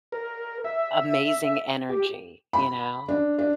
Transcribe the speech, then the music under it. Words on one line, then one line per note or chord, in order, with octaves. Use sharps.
amazing energy, you know?
A#4
E5
G4
B5
D4
D4